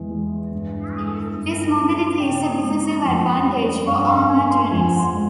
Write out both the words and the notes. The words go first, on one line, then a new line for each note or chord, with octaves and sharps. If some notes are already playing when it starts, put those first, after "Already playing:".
This mobility is a decisive advantage for armored units.
Already playing: E2 G#3
G#3
G2
G#3
G2
C#4
C#3 G5
G#3
F2
G3
G2 F5
F5
A#3 G#5
C6
F2 G#5
C6
G#3